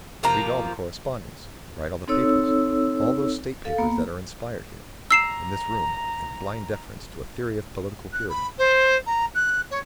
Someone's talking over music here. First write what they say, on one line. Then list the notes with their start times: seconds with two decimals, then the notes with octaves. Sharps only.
You read all the correspondence, you write all the papers--all those State papers that are inspired here, in this room, in blind deference to a theory of political purity.
0.23 C3 F3 A#3 A#5
2.08 C4 D#4 A4 C#5 E6
3.65 A4 F5
3.78 A#3 B3
5.11 A#5 E6 C7 E7
8.12 F#6
8.29 B5
8.58 C5
9.06 A#5
9.34 F#6
9.70 C#5